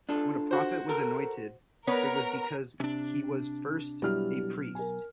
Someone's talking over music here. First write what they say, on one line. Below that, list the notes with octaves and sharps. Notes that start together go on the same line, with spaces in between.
When a prophet was anointed, it was because he was first a priest.
D4 F4 A4
F#4 C5
A4 A#4
B3 A#4 B4 C#5
C3 C#4 D4
B2 F#3 G3 E4 F6
A#4 G#5